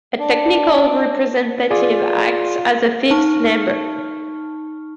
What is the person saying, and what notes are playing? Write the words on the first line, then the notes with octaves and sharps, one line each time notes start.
A technical representative acts as a fifth member.
D4
F4 G#4 D5
D#4 A5 C#6 F6